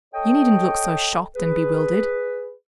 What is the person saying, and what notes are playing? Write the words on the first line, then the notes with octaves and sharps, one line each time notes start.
You needn't look so shocked and bewildered.
A4 C#5 D#5 G5
G#4 B4